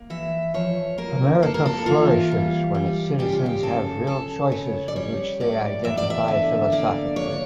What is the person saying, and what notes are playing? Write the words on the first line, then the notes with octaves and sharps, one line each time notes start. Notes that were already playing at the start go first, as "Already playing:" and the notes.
America flourishes when its citizens have real choices with which they identify philosophically.
Already playing: A#3
E3 E5
F3 C#5
A#3 A#4
A#3 A4
A#4
A4
E3 F4
G3
G3
C#3 G4
F4
G4
C#3 A4
C#3 A4
C#3 C#5
D5
G3 C#5
A2 D5
E2 E5
D5
E5
D3
A#3 D5
D4 C#5